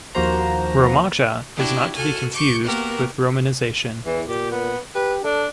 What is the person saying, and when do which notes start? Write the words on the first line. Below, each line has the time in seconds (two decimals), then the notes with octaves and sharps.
"Romaja" is not to be confused with "romanization".
0.15 D#2 F3 A#3 F#4 C5 A#5
1.56 D4 E4 F#4 G4
1.95 F#4 A4 G#5 F6
2.32 C#6 D6 G6
2.62 A#3 B3 F#4 G4 A#4
4.05 E2 E3
4.28 A#2 G4
4.51 B3
4.95 G4 B4
5.24 D4 A4